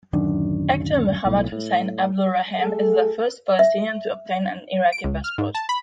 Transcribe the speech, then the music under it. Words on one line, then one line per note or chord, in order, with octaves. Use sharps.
Actor Muhammad Hussein Abdul Rahim is the first Palestinian to obtain an Iraqi passport.
D1 F#2 D#3 D4
B1 A2
A2
A3 G#4 A4
E5
D7
C#2
F6
G#2
A5
B5